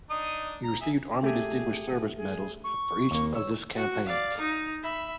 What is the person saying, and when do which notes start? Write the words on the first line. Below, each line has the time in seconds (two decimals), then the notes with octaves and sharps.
He received Army Distinguished Service Medals for each of this campaigns.
0.10 D4 D#4 D#6
0.64 A#5
0.81 G#4 E5
1.23 A3 G4 G#4
2.17 G#4
2.64 C#6
3.11 D#2 A#3
3.34 C#5 E6
3.75 F#4
4.06 D5 F5
4.38 D#4
4.83 E5 B5